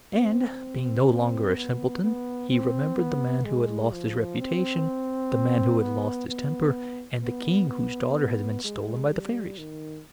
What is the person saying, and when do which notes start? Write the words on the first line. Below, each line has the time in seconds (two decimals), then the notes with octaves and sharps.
And being no longer a simpleton, he remembered the man who had lost his reputation, the man who had lost his temper, and the king whose daughter had been stolen by the fairies.
0.14 C4
1.56 B3
2.03 B3
2.50 C4
2.97 B3
3.45 G#3
3.92 F3
4.40 C4
5.81 B3
6.28 B3
7.23 B3
7.69 B3
8.64 G#3
9.11 G3
9.58 D#3